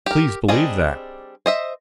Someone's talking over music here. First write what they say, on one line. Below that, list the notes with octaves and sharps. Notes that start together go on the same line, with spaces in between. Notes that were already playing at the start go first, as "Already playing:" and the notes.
"Please believe that."
G4 A#4
G3 C4 D4 G#4 D#5
C5 D#5 E5